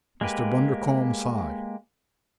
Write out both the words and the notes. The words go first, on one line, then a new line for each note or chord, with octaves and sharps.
Mr. Bundercombe sighed.
G#3 A#3 G4 B4